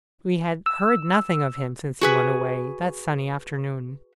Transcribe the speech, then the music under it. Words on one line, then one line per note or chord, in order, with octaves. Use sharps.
We had heard nothing of him since he went away, that sunny afternoon.
E6
F#4 G#4 B4